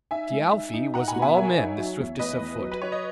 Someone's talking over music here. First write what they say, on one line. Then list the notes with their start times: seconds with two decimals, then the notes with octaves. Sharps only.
Thialfi was of all men the swiftest of foot.
0.11 D#4 E5 G#5
0.31 G#3
0.53 D#4
0.74 D#4
0.94 D#4 F#5 A#5
1.08 G#5 B5
1.16 B2
1.22 E5 G#5
1.37 A#4 C#5 E5
1.57 D#4
1.78 F#3
1.99 E2
2.19 E2 B4 D#5
2.41 E2
2.62 F#3
2.72 B4
2.82 F#3 C#5
2.92 D#5